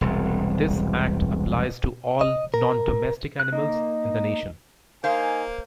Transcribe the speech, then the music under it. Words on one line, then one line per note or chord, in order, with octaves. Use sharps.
This act applies to all "non-domestic animals" in the nation.
E1 C2
D#5
A#4
F#6
A#3 D#4
A#3 D#4 C5 F5 G#5